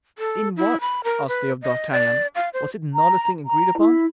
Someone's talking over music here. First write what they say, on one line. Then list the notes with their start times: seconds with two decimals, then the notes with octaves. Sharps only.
"In what?" asked they of D'Artagnan; "was it not a thing agreed upon?"
0.19 A4
0.56 E4
0.81 B5
1.04 A#4
1.28 B4
1.62 D#5
1.92 D5
2.35 F5
2.53 C5
2.95 A#5
3.45 A#5
3.78 E4